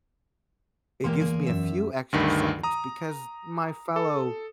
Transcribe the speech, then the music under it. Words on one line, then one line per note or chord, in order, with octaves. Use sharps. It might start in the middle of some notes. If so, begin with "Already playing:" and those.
it gives me a few extra seconds because my fellow
E2 G#3 A#3 G4 A#4 C6
A#3 G#4
F#2 E5
D2 G2 D#3
A#5 D#6
A4